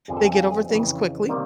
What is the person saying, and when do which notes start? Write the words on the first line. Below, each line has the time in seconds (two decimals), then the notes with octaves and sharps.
they get over things quickly,
0.08 G1 F2 D3 F3 G#4
0.17 A4
0.26 G#4
0.34 A4
0.43 G#4
0.69 F2 C#3 E3
1.29 C3 D#3 G3 A#3